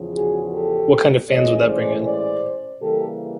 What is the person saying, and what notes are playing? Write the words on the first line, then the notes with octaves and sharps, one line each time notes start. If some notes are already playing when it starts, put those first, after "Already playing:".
What kind of fans would that bring in?
Already playing: E2 C#3 F3
F#4 G#4
G4 A4
A2 E3 G#3 C#4 C#5 D#5
C5 D5
C5 D5
C#3 E3 G3 A#3 G4 A4